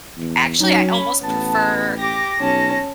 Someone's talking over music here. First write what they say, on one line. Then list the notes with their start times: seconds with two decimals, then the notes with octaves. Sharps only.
actually, I almost prefer,
0.17 E2
0.60 F#3 C#4 D#4
0.91 B5
1.23 A1 B3 A5
1.98 G4 D6 A#6
2.40 B1 C#4 A5